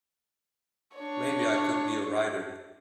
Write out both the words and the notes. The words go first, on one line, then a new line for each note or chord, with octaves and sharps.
Maybe I could be a writer.
D4 C#5